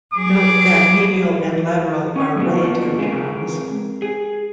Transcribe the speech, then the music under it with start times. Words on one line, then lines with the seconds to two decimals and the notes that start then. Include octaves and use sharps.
Note that medial and lateral are relative terms.
0.14 F#3 G#4 D6
2.16 C#4 C#5
2.36 F#3 A#3 B3 F#4
2.54 A#3 B3 D4 F4 F#4 D#5
2.98 G#3 C4 G#4 A#4 B4 F5
4.02 G#4